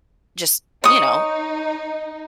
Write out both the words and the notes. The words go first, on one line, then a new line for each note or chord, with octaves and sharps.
just, you know,
D#4 C#5 D#6